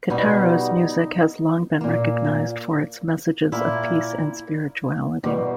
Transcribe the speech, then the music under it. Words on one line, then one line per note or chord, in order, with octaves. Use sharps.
Kitaro's music has long been recognized for its messages of peace and spirituality.
B2 G3 B3 D#4
A#2 A#3
A#2 A#3 E4
E2 B2 G3 A#3 G4